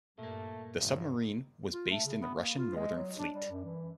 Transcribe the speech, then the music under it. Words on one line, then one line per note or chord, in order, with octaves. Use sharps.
The submarine was based in the Russian Northern Fleet.
G2 A#2 A3 A#3
G#1 G2 C3 D#3
F4
A3
C#3
B3
A#3
F4
G#3
F#3
D4
G3
F#2
E3